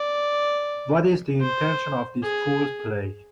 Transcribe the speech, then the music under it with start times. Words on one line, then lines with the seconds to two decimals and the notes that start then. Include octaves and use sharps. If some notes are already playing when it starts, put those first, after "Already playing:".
What is the intention of this fool's play?
Already playing: D5
1.41 C5
2.23 G#4